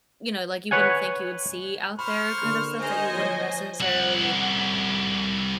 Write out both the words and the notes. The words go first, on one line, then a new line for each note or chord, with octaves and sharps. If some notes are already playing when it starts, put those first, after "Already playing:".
you know, like, you wouldn't think you would see out there kind of stuff that you wouldn't necessarily
B4 C#5 F#5 G#5
C5 B5 C#6 F6
D3 A#3
D#4 C5 D#5 G#5
F3 C#5
C2 F#5